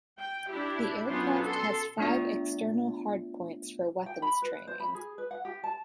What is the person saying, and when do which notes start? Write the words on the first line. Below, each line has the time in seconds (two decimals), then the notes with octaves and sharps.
The aircraft has five external hardpoints for weapons-training.
0.20 G5
0.51 D4 E4 G4
1.06 F#3 B3 C#4 D4 F4 C5
1.43 A4 C6
1.98 A3 B3 D4 F4 E5
4.06 G5
4.22 B5
4.42 B4
4.67 C5
4.80 B5
4.95 G#4
5.18 B4
5.31 F#5
5.45 G4
5.64 A5